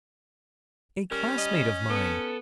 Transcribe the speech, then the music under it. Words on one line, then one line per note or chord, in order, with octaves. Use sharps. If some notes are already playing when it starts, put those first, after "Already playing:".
"A classmate of mine."
G3 C#4 A#4
D#5
B3 A4